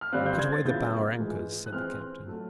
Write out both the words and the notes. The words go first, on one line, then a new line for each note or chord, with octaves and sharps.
"Cut away the bower anchors," said the captain.
F6
G2 D3 G3 C4 F4 F#6
G6
G#6
A6
C#3 F#3 B3 E4 G6
G#2 E3 G#3
F#6
E3 G#3 C4 F6
A2 F#3 A3